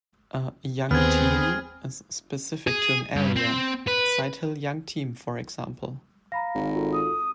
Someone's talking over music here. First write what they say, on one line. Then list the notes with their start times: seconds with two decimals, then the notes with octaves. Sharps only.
A "Young Team" is specific to an area: "Sighthill Young Team", for example.
0.91 D#2 B3 C4 G#4 F6 G#6
2.67 G#4
3.16 G2
3.36 C4
3.88 B4
6.32 F5 A#5 B5 A#6
6.55 G#1
6.74 F4 F#4 A4
6.93 D#6